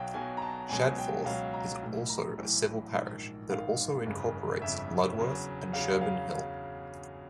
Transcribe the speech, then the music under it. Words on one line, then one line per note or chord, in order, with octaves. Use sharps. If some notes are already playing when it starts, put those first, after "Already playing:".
Shadforth is also a civil parish that also incorporates Ludworth and Sherburn Hill.
Already playing: B1 B2 F#3 F5 G5
B1 B2 F#3 G#5
A#5
A5
C#2 B2 F#3 G#5
G5
C#2 B2 F#3 F5
A#5
B1 A2 E3
A#5
B1 A2 E3
A#1 G#2 D#3
A#1 G#2 D#3 F5
G1 F2 C#3
G1 F2 C#3 E5
E2 C#3 F#3
E2 C#3 F#3 F5
F5